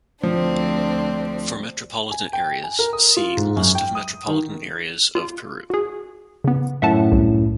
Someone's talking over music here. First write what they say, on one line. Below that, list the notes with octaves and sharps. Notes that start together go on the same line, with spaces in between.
For metropolitan areas see List of metropolitan areas of Peru.
D2 F3 C4 D4
G#5
G5
G#5
A#4
D#6
F4
G#2
F#2
G5
D#6
D#3
F4
F#4 G#4
C#3 B3
F#2 A2 E5 F#5 A5
C2